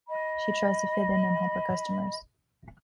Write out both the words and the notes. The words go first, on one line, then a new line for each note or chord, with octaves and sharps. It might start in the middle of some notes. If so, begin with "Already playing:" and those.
She tries to fit in and help her customers.
D#5 B5